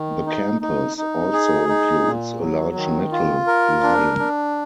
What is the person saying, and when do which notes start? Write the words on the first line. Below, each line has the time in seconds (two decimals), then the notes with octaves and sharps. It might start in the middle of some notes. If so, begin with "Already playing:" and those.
The campus also includes a large metal lion.
Already playing: D#3
0.26 D#4
0.62 D#4
0.97 D#4
1.33 G#4
1.69 D#4
2.04 A#2
2.40 F#3
2.75 D#3
3.12 F4
3.47 A#4
3.83 D4
4.19 D4